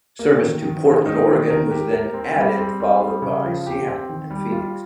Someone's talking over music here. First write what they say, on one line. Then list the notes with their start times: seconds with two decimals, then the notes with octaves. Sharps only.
Service to Portland, Oregon was then added followed by Seattle and Phoenix.
0.19 A#3
0.41 D#3
0.63 D#3
0.85 D#3
1.06 D#4
1.27 D#3
1.50 A#4
1.71 G4
1.93 A#4
2.14 C4
2.36 G3
2.58 C4
2.80 G3
3.01 G3
3.22 C#3
3.44 F3
3.66 G4
3.88 C4
4.09 D#3
4.31 G3
4.52 F4